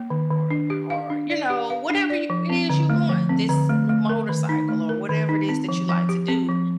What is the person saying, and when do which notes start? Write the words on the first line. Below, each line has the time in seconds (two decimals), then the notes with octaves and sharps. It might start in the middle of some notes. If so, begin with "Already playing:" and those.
or o or, you know, whatever you it is you want. This new motorcycle or whatever it is that you like to do,
Already playing: A#3
0.10 D#3
0.31 D#3
0.50 D4
0.70 G4
0.90 F5
1.10 D4
1.30 D5
1.50 G4
1.70 F5
1.90 D4
2.10 D5
2.30 F3
2.50 C4
2.70 D3
2.90 A3
3.09 F3
3.29 C4
3.49 D3
3.69 A3
3.89 A3
4.09 A#4
4.29 D#3
4.49 D#4
4.69 A3
4.89 A#4
5.09 D#3
5.29 D#4
5.49 C4
5.69 F3
5.89 F3
6.09 G4
6.28 C4
6.49 F3